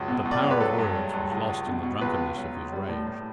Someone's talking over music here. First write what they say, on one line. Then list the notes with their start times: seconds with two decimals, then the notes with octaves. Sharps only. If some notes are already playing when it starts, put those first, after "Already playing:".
But the power of words was lost in the drunkenness of his rage.
Already playing: C#2 F#2
0.08 B2
0.25 C#2
0.31 D5
0.41 C#2 C#5
0.51 B4
0.60 F#3 A4
0.78 G2
0.95 F#3
1.14 G2
1.31 C#2
1.49 C#2
1.67 B2
1.83 B2
2.01 C#2 B4
2.19 B2
2.37 F#3
2.55 C#2
2.72 G3
2.89 A2
3.07 A2